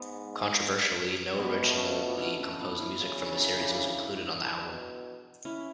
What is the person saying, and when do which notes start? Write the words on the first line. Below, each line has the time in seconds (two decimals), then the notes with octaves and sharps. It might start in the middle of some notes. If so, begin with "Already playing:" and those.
Controversially, no originally composed music from the series was included on the album.
Already playing: G#2 G#3 B3
1.37 B2 G#3 B3
1.64 A3 C#4
1.91 B3 D4
2.18 C#4 E4
2.39 A3 C#4
2.60 B3 D4
2.80 C#4 E4
3.00 C#3 D4 F#4
3.20 F#4 A4
3.41 E4 G#4
3.55 E4
3.61 D4 F#4
4.64 B2
5.45 C#4 E4